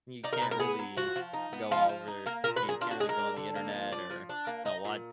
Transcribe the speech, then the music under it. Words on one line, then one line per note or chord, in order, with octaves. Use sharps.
You can't really go over Yeah, you can't really go on the Internet or, you know, what
D#4 D5
A#4
B2 B4
A#4
B3 G#4
F#3
F3 F#4
F3
D#4
B3
F3 F4
F3
D#4
A#3 A#4
A#2 A#4
B4
A#2
G#4
D4 F4
F#4
G#3 G#4
A#4
D4
D3
A#3
F3
F3 D5
F3
D4
A#3
D#4 D#5
A#2